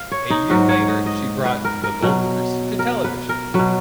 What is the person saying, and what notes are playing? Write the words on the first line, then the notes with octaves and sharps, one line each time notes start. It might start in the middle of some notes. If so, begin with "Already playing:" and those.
A year later, she brought "The Goldbergs" to television.
Already playing: F5
C#5
D#4
G#2 F#3 F#4
C#5
D#5
D#5
B4
A#4
A#4
B2 F#3
A#4
B4
A#4
B2 F#3 B4